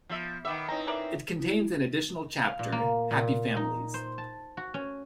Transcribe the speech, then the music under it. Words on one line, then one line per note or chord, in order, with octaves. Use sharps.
It contains an additional chapter, "Happy Families".
F3 B3 E5
D#3 B3 E5 B5 D6
C4 C#4 D#4 E4 B4 D#5 A#5
E3 A#4 D5 E5
E4
F5
A#2
A#3
A#2
D#4
C5
A5
F#4
C#4